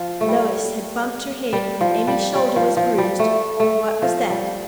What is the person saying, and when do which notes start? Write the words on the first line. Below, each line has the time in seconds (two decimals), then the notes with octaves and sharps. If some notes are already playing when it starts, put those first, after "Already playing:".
Lois had bumped her head, and Emmy's shoulder was bruised; but what was that?
Already playing: F3
0.21 A3
0.29 G3
1.53 G3
1.81 F3
2.07 G3
2.35 G3
2.56 F3
2.77 F3
2.98 G3
3.19 A3
3.60 A3
4.02 F3
4.30 G3